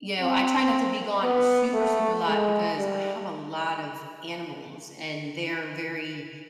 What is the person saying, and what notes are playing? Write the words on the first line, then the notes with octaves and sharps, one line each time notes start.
you know, I try not to be gone a super, super lot because I have a lot of animals, and they're very
C4
B3
A3
G#3
G3